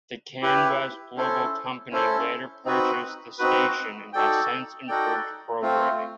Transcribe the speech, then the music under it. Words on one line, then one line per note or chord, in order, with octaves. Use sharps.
The CanWest Global company later purchased the station and has since improved programming.
E4 G4 B4
C#4 E4 A4 C5
C#4 E4 A4 C5
C4 D#4 F#4 B4
C4 D#4 F#4 B4
D#4 F#4 A4 D5 G5
D#4 F#4 A4 D5 G5
A3 C4 F4